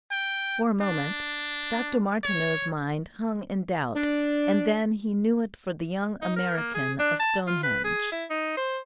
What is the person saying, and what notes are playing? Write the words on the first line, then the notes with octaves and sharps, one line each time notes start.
For a moment Dr. Martineau's mind hung in doubt and then he knew it for the young American of Stonehenge.
G5
D4
C#5
D4
D#4
A#4
A#3
G#4
D4
A5
F4
B4
G#4
E4
D#4
C5